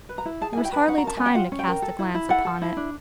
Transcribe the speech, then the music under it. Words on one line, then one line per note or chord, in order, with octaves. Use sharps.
There was hardly time to cast a glance upon it.
B4
A#5
E4
G#4 A5
G#5
E4
G5
B4 G#5
C#4 F#5
A#5
A#4 A5
C#4 G#5
G5
F4 F#5
C#4
G5
A#4
A4
E4
E4
A4 F#5
A4
E4
D4